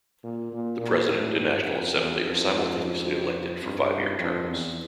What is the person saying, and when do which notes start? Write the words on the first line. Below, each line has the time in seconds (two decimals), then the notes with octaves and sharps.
The President and National Assembly are simultaneously elected for five-year terms.
0.24 A#2
0.53 A#2
0.81 A#2
1.09 A2
1.37 G2
1.65 F2
1.93 E2
2.22 F2
3.64 G2
4.19 F2
4.49 E2